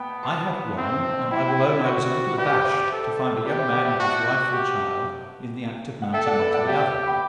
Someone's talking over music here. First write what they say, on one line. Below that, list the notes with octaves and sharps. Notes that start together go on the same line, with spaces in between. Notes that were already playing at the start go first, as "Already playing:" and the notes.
I had one; and I will own I was a little abashed to find a young man and his wife and child in the act of mounting into the other.
Already playing: B3 G5 A5 B5
A5 C6
C4
C6
E4 G5 B5
E5 G5
D5 F#5
F#4 C5
G4 B4 D5
C5 E5
A4
G4 B4 D5
C5 E5
D5 F#5
E5 G5
F#4 F#5 A5
G4
F#5
A4 E5 G5
D5 F#5
B4 D5
D5 F#5
G4 E5 G5
E5 G5
G5 B5